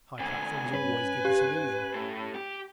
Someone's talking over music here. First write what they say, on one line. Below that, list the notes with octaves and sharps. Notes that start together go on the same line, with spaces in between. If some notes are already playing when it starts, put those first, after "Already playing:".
High platforms always give this illusion.
E2 D3 G#5
G2 C#4 B4
G4
A2
G4